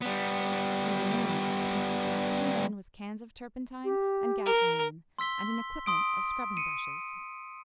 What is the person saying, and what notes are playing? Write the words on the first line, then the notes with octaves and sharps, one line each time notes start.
These "eliminators" consisted of two men with cans of turpentine and gasoline and an equipment of scrubbing brushes.
G3 B3
G4
A#4
C6 E6 B6 G7
C6 D#6 D7
C#7 D#7